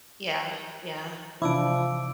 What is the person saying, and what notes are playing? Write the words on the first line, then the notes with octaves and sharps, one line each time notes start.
Yeah, yeah.
C3 E3 F3 D4 E4 D6 E6 D7